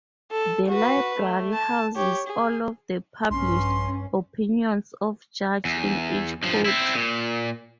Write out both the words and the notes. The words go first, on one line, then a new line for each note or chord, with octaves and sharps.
The Library houses all of the published opinions of judges in each county.
A4
F#4 B4
A3
A5
G4 C#5
G#4
A#1 G2 C#4 C6
E2
G2 F3
C4 E4
A#2